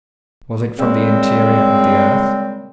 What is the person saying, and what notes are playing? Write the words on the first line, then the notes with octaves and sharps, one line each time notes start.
Was it from the interior of the earth?
A#2 C#3 G3 G#3 C4